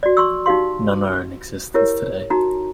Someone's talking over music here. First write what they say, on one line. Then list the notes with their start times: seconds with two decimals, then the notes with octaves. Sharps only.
None are in existence today.
0.03 F#4 D5
0.17 C6 C#6 E6
0.46 D#4 F#4 G4 F5 C6
1.74 E4 G4 A#4 C#5
2.30 D#4 F#4 A#5